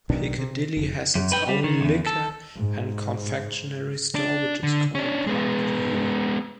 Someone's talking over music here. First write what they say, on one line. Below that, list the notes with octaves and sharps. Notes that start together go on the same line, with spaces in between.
Piccadilly has its own liquor and confectionery store, which is called Parkview.
B1 B2 D#3 D4
C3
F1
F#2
B4 G5
G3
D#3
B1 E2
A4
G#2
D4
D3
C#4 D4
G#3 B3